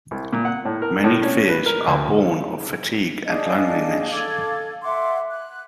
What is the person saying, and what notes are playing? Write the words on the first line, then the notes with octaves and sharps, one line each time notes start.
Many fears are born of fatigue and loneliness.
C2
A#2
F#5
A2
A#4
A2
C#4
B4
A#4
D2
D4 G#4 D#5 F5
A4 F5 D6 G#6
E5 F#5 C6 D6
F#6